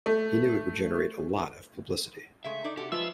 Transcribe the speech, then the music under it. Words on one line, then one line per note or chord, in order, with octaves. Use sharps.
He knew it would generate a lot of publicity.
A3
C#3 G#3 A3 E5
D#4 A4 D5
C3 F#4 G4 A4
F3 G#3 F4 B4 E5 E6